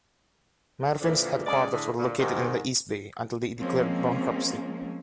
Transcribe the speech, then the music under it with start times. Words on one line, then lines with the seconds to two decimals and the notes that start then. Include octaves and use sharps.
Mervyn's headquarters were located in the East Bay until they declared bankruptcy.
1.01 A#2 D3 E3 F3
1.47 C#3 G#3 D5
1.72 A2 D3 A3 G#4
1.98 A#2 D3
2.19 G#2 C3 D#3
3.59 F3 G#3 A#3 C4 C#4